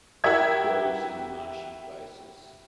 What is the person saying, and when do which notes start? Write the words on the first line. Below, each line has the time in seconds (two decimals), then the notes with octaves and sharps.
It grows in marshy places.
0.24 E4 F#4 G4 A#4 E5 G#6